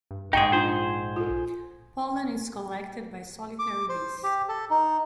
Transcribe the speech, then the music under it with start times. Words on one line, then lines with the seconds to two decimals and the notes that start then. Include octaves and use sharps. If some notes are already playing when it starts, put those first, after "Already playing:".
Pollen is collected by solitary bees.
0.11 G2
0.33 A#1 G#2 D#4 F#4 G#4 G5
0.52 D4 F4 G#4 C5
1.16 F4 A4
3.59 D6
3.89 C5
4.23 G4
4.49 A4
4.70 D#4